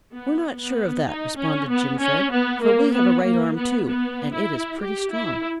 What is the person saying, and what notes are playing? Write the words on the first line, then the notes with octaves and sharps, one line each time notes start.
"We are not sure of that," responded Jimfred, "for we have a right arm, too, and it is pretty strong."
B3
B3
D#4
C#4
B3
C#4
B3
A#3
B3
A#3
B3
B3
E4
G4
E4